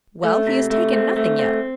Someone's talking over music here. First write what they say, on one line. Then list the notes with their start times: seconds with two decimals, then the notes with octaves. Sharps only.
"Well, he has taken nothing yet."
0.24 A3
0.47 C3
0.70 A3
0.93 C4
1.16 A3
1.39 C4